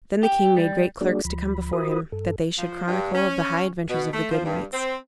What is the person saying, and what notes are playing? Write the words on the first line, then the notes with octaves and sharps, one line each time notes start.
Then the king made great clerks to come before him, that they should chronicle of the high adventures of the good knights.
G4
G3
G3 A#3 D4 F#4 G#4 D5
D2 F3 B5
F4 F#4 A#4 C5 B5 D#6
G2 A4
F3
G2
C#4
B2
A3
F3
G2
C4